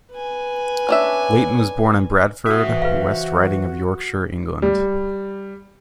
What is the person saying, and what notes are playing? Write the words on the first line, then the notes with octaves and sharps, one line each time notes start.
Layton was born in Bradford, West Riding of Yorkshire, England.
B4 G#5
C#4 D4 E5
F#4 C5 E5 D#6
E3
B4 F5
G3